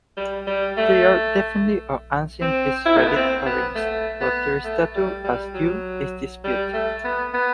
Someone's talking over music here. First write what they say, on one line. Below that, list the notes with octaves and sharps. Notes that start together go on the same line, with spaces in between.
They are definitely of ancient Israelite origin, but their status as Jews is disputed.
G3
G3
A3
C4
E4
A3
B3
C4
B3
A3
B3
A3
G3
G3
F#3
G3
A3
B3
B3